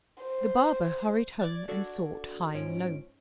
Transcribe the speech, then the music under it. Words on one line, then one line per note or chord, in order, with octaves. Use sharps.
The barber hurried home and sought high and low.
C5
D5 G#6 A6
D4 F#4 A4 D5 G#6
G#2 F3 C#4 D7